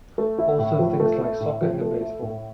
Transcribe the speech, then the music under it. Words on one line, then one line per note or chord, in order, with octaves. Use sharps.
Also things like Soccer and Baseball.
A3
E4
A2
F3
A3
E4
A2
F3
A3
E4
A2